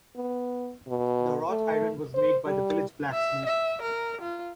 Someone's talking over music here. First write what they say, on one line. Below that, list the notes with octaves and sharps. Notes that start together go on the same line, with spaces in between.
The wrought iron was made by the village blacksmith.
B3
B2
A3
C5
G3
E5
E5
A#4
F4